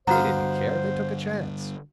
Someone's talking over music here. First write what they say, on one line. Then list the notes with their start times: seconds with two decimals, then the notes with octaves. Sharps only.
They didn't care! They took a chance.
0.07 G2 D3 B3 F#4 C5 F5 A#5